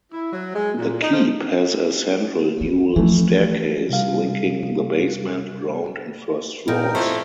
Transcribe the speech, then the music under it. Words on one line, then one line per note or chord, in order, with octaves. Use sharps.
The keep has a central newel staircase, linking the basement, ground and first floors.
E4
F#3
G#3
A#2
D#4
F3
E3
E3 F3 A3
C3 G3 F5
A#2 D#4 A#4 G5
F2 A3 E4 C5